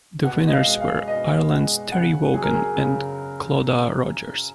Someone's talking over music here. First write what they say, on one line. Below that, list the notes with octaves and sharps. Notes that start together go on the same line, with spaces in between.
The winners were Ireland's Terry Wogan and Clodagh Rodgers.
B2 F#5
D#5
F5
G#3
F5
B2 D#5
G#3 F#5
C#3 F#5
F#3 G#4
A#4
G#4
C#3